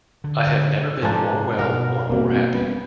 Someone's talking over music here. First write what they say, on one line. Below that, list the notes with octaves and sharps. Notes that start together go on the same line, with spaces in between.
I have never been more well or more happy.
D3
G#2 F3 D4 A4 G#5 A#5
G2 B2 A#4 F#5 F6
E1 G3 A#3 C4 F#4
G3 B3 C#4 B4